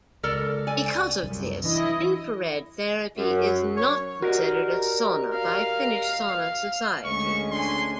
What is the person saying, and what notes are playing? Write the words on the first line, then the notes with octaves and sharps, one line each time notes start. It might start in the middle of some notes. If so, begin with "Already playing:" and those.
Because of this, infrared therapy is not considered a sauna by Finnish sauna societies.
C#2 A4 A#4 D5
D5 G#5
C2 F#2
E3 D4 E4 D#5
F#2
C#5
F#4 G4 A#4 D5 D#5
F5
D2 G#3 C#4 C#6
D4 G#5 C6